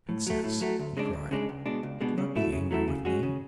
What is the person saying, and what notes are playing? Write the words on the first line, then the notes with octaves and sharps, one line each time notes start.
Princess," he cried, "do not be angry with me.
A2
F#3 A3
A2
F#3 A3
D2
C#3 G#3 D4
D2
C#3 G#3 D4
C#2
B2 G#3 D4
C#2
B2 G#3 D4
C#3
F#3 A3 E4
C#3
F#3 A3 E4
C#3
G#3 C#4 F#4
C#3